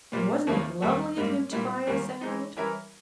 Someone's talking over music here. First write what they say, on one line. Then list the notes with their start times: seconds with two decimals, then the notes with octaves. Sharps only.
And wasn't it lovely of him to buy us out?
0.12 A#2 G3 A#3
0.47 D#2 D#3 A#3 C#4 E4
0.82 D#2 D#3 G3
1.17 G#2 G3 A#3
1.52 A#2 G3 A#3 E4
1.86 E2 D#3 G3 A#3 C#4
2.21 E3 G#3 D#4
2.57 E3 G3 C#4 E4 A#4